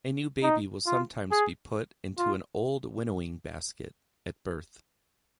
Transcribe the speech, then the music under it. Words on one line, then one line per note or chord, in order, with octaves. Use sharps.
A new baby will sometimes be put into an old winnowing-basket at birth.
D#4
F4
G#4
F4